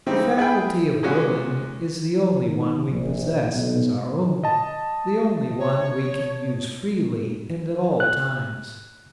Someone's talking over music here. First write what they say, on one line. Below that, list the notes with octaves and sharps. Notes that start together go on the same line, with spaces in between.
The faculty of willing is the only one we possess as our own, the only one we can use freely and at all times.
C#3 E3 G3 C4 D#4
E4 G#4 B4 G5
A#2 F3 G#3 C#4 F4 F#4
D#3
A#1
B1
D#5 A5
C#5
F#6